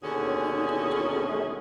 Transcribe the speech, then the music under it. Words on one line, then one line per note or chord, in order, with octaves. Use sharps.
'O Amy, don't do all this.
D#2 B2 D3 C#4 F#4 G#4